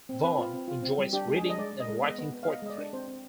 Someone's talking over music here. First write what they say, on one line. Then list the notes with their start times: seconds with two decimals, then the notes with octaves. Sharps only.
Vaughn enjoys reading and writing poetry.
0.09 C4
0.23 C4 B4
0.38 F4
0.53 C4
0.68 F4
0.83 C4
0.98 G3
1.13 D4 G4
1.28 G#3
1.35 G#4
1.43 D4
1.50 D#5
1.59 G#3 D5
1.73 G#3
1.80 D#5
1.88 G#3
2.02 B3 D#5
2.18 B3
2.33 B3
2.43 F5
2.47 B3 D#5
2.62 G#3 D#5
2.70 D5
2.78 D4
2.93 C4 C5
3.08 C4